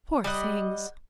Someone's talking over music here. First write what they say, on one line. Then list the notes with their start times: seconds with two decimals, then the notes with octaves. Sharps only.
"Poor things!"
0.24 G3 D#5 F#5